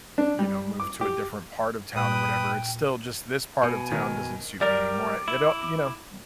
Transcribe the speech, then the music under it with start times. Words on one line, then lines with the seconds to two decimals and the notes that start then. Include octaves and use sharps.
you know, move to a different part of town or whatever. It's still just this part of town doesn't suit me anymore. I you don't you know, y
0.18 D4
0.39 G3
0.80 D6
1.01 G4
1.96 A#2 B4 G5 D#6
3.63 B2 G#5
3.92 D#3
4.61 G3 A#4 D5 D6
5.28 E4